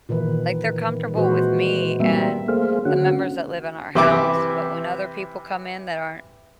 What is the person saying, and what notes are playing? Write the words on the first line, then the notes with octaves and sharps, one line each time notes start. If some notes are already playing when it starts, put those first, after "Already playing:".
Like, they're comfortable with me and the members that live in our house, but when other people come in that aren't
A#2 D#3 E3 B4
A#2 E3 G#3 F#4 B4 C5
G3 A#3 C4 E5
A3 A#3 G#4 C5 F5
D3 C#4 F#4 F#5
C3 E3 E4 G4 D6